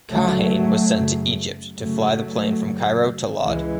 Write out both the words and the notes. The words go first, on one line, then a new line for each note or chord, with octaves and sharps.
Kahane was sent to Egypt to fly the plane from Cairo to Lod.
D2 C#3 F#3 A3
F#2 C#3
F#2 C#3 F#3 A3
F#2 C#3
C#2 C#3 E3 G#3